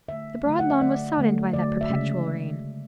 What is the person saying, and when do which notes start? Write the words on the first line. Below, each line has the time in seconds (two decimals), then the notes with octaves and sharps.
The broad lawn was soddened by that perpetual rain.
0.08 D3 A3 E5
0.45 D3 F#3 A3
0.59 F#5
0.70 E5
0.81 D3 F#3 A3 D5
1.18 D3 F#3 A3
1.53 D3 F#3 A3 D5
1.81 E5
1.90 C#3 G#3